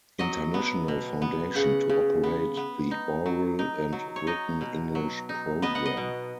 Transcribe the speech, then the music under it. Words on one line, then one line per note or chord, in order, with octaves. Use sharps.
International Foundation to operate the Oral and Written English Programme.
F#3 D#5
B3
B2
B3
C#3 F#5
C#3
B3
B3
D#4
F#3
D#4
F#3
C#5
D#4 D#5
B2
F#3
D#4
B3 D#5
F#5
D#5
B2